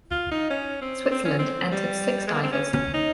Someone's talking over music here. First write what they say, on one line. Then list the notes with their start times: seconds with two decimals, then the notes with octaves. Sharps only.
Switzerland entered six divers.
0.11 F4
0.31 D#4
0.50 C#4
0.82 C4
1.11 C4
1.25 C#4
1.39 C4
1.71 G3
2.27 G#3
2.33 A#3
2.43 C4
2.52 C#4
2.73 C#4
2.94 D#4